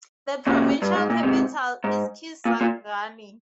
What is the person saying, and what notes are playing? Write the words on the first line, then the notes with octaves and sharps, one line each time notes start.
The provincial capital is Kisangani.
A#2 C#3
G2
G#2
A#2
G#2 C3
G#2
A#2
A#2